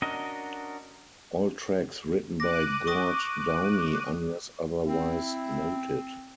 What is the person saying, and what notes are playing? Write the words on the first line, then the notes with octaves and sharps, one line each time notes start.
All tracks written by Gord Downie unless otherwise noted.
C#4 D4 F#4 A#4 D#5
D6 F#6 A#6 D#7
C#6 D#6 A#6
C4 E4